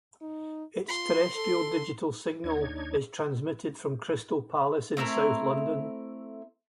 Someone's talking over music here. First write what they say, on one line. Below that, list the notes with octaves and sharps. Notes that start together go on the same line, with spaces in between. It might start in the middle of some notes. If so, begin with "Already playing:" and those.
Its terrestrial digital signal is transmitted from Crystal Palace in South London.
D#4
F4 C6
A4
D#2 D4 D#4 C#5 G#6
A3 C4 E4 A#4